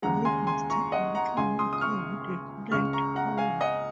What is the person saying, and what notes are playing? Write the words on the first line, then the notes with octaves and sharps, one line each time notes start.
White must take a little more care with a knight pawn.
D#2 C#3 G#3 F#5 A#5
G#5 C6
G#5 C6
A#5 C#6
D#5 F#5
F#5 A#5
C#2 C#3 G#3 G#5 C6
C6 D#6
D#6
C#6 F6
C#2 C#3 G#3 C#6 F6
A#5 C#6
F#5 A#5
F5 G#5
D#5 F#5